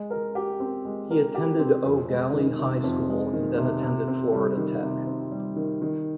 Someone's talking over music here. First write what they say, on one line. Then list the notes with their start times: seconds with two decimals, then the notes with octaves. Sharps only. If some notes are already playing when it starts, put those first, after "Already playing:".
He attended Eau Gallie High School and then attended Florida Tech.
Already playing: G#3
0.10 A#4
0.35 G4
0.60 C4
0.85 G#3
1.10 A#4
1.35 G4
1.59 C4
1.84 F2
2.09 G#3
2.34 D#3
2.59 C3
2.84 F2
3.09 G#3
3.33 D#3
3.58 C3
3.83 C3
4.08 C4
4.32 G3
4.57 D#3
4.82 C3
5.07 C4
5.31 G3
5.56 D#3
5.82 D#3